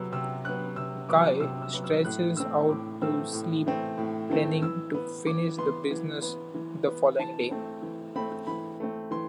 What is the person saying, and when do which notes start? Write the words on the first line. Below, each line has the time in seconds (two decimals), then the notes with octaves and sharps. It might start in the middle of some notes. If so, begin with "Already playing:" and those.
Guy stretches out to sleep, planning to finish the business the following day.
Already playing: C3 F#3 B3 E6
0.12 C3 E6
0.45 F#3 B3 F#6
0.76 C3 E6
1.09 F#3 B3 D6
1.40 C3 E6
1.62 E6
1.74 F#3 B3
1.84 E6
2.05 A2 F#6
2.37 E3 A3 C4 E6
2.69 A2 D6
3.02 E3 A3 C4 E6
3.33 A2
3.66 E3 A3 C4
3.98 A2
4.30 E3 A3 C4
4.62 E3 E6
4.94 B3
5.26 E3 D6
5.58 B3 C6
5.91 E3
6.22 B3
6.55 E3
6.87 B3
7.19 E3 A5
7.51 A3 C4
7.83 E3
8.16 A3 C4 B5
8.47 E3 B5
8.80 A3 C4
9.11 E3 C6